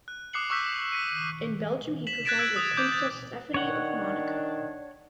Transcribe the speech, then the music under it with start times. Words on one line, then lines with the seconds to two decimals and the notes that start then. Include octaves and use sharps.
In Belgium, he performed with Princess Stephanie of Monaco.
0.08 F#6
0.33 D6 D#6 F#6 C7 C#7 F#7
0.50 C#6 D6 E6 F#6 G6 B6
0.92 B6 C#7 D#7
2.07 B6 E7 F#7
2.25 F#6 G#6 A6 B6 D7 E7
2.39 E6 G#6 D7
2.56 D#6
2.77 D6 G6
2.92 A6
3.54 D#3 D4 C#5 F#5